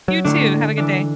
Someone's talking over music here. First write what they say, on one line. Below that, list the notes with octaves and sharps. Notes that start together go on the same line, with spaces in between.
You too, have a good day.
F#3
A2 D3 A3 D4
E3 D4